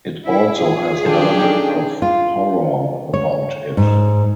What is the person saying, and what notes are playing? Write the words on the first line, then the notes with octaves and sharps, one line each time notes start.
It also has element of horror about it.
E4
F4 G#4
D#3 F3 D4 G4 A4
C#4 D#4 A4 G5
F4
C#5
G#2